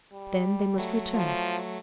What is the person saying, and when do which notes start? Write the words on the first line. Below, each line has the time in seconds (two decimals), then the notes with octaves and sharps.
Then they must return.
0.13 G3
0.78 F#3 A3
1.14 F3